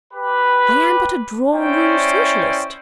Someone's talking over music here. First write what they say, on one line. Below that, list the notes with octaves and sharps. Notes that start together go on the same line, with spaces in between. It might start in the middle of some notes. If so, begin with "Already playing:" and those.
I am but a drawing-room Socialist.
G4 B4
C#4 E4 C5 D5 G5